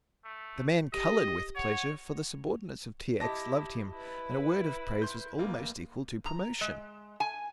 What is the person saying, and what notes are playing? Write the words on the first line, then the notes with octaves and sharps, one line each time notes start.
The man coloured with pleasure for the subordinates of T. X. loved him, and a word of praise was almost equal to promotion.
A3
G4 D#5
C#5 F#5
E4 G4 D#5 A5 A#6
E4 B4
C6 G6
F1 A#3
A#5
G#3
G#5